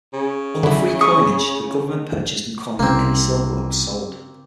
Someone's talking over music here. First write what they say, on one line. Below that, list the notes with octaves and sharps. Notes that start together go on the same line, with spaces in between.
Under free coinage, the government purchased and coined any silver that was sold.
C#3
D3 F#3 E4
C#6 D#6
C2 C#3 A#3 C4